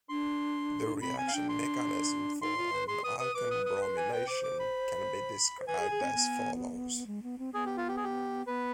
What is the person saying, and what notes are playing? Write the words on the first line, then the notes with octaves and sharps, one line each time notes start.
The reaction mechanism for an alkene bromination can be described as follows.
D4 C6
D#4
D4
C4 B5
C4 G#5
F5
D4 G5
C6
D#4 C6
F4
B4
G#4 C6
B4 D#6
B4 D#6
B4 D6
D#6
D#6
C6
G#5
G5
C5 D6
D6
B5
C5
B4 G#5
G#4
G#4
C4
B3
G#3
B3
C4
B3 G#4
G4
F4
G4
G#4
G4
B3 B4